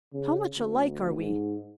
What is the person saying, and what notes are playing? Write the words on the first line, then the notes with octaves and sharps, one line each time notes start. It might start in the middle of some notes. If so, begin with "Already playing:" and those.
How much alike are we?
C#3
D2
G#2